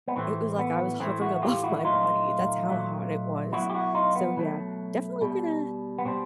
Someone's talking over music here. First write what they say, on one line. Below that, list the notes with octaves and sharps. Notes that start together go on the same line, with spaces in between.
it was like I was hovering above my body, that's how hot it was. So, yeah, definitely gonna
B3
A2 E3 A3 C4
B3
A2 E3 A3 C4
E4 F#4
F4 G4
E4 F#4
A#2 F#3 A3 D#4 F4
A#2 F#3 A3
B2 F#3 A3 E4 F#4
G4
E4 F#4
D#4 F4
B3
B2 F#3 A3
B2 G3
B3
B2 G3 C4